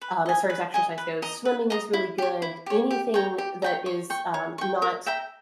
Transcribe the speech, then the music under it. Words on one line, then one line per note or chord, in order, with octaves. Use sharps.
um- as far as exercise goes- swimming is really good, anything that is, um, not
B4
D#5 G#5
B4
D#5 G#5
B4
D#5 A#5 D#6
B4
D#5 A#5 D#6
E4
G4 C#5
E4
G4 C#5
G4
C#5 G5 A#5
G4
C#5 G5 A#5
C#5
G5 C#6
C#5
G5 C#6
A#4
E5 G5 A#5